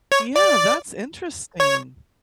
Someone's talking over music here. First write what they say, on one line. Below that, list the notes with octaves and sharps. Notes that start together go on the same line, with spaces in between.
Yeah, that's interesting.
C#5
D5
C#5